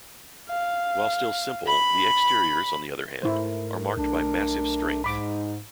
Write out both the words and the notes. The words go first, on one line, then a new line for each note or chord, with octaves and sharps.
While still simple, the exteriors on the other hand, are marked by massive strength.
F5
B5
G#2 A3 E4 A#4 C5
B1 D4
G#2 G#3 D#4 B5 D6